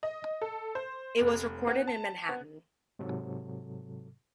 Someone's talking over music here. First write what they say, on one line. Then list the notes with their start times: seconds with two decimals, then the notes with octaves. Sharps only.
It was recorded in Manhattan.
0.03 D#5
0.42 A4
0.75 C5
1.20 F1
1.67 B3
1.87 A5
2.29 B3
2.99 G#2 C3 F#3 A4